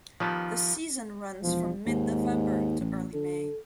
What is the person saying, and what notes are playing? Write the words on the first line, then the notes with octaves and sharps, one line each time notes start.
The season runs from mid-November to early May.
D#3 F3 G3 B3
E1 F3
D#2 G#2
A1
D3 A4